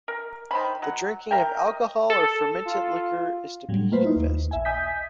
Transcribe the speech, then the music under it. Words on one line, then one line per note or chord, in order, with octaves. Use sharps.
The drinking of alcohol or fermented liquor is to be confessed.
A#4
D#3 C5 B5
F#3 F#5
A#4 E5 G5
D#5
A4
F4
A2 F#3 G3
A3 A#3 F4 B4 C5
D#4 E4
D#2
A#1 E5 G#5
D#5 E5 G#5 D#6 G6 B6